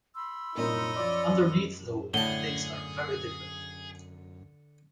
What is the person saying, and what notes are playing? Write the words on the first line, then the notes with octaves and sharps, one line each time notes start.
Underneath, though, things are very different.
B5 C6 E6
C2 A#2 D#4 A#4 C#5 D#5
F3 D5 D6
A2 D3 G#4 A5 G7